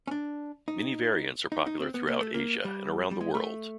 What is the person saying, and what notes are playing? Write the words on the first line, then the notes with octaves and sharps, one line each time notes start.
Many variants are popular throughout Asia, and around the world.
C#4
D4
D#4
D#4
D#4
C4
B3
A#3
A3
A#3
G3
G3
G#3
A3